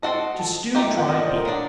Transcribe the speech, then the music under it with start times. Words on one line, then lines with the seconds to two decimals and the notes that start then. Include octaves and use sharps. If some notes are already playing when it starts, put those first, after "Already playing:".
To Stew Dried Beef.
0.02 C4 F#4 A4 D#5 A5
0.39 A5
0.75 D#3 A3 D#4 G4 G5
0.86 G5
0.97 F#5
1.09 D#5
1.19 D5
1.28 C5
1.36 A#4
1.45 F#3 A#3 D4